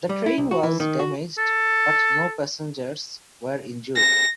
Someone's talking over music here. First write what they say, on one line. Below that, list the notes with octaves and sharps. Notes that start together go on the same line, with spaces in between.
The train was damaged but no passengers were injured.
G3
E4
C2
F#4
E3
D#3
F#4
A4
A#6